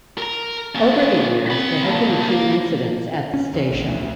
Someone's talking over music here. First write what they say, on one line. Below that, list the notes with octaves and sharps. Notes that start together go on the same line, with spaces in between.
Over the years, there have been a few incidents at the station.
A#4 A#5
A#3 C#4
C4 B5
A2 A#3
A#3
C#4
E2
A#1
D2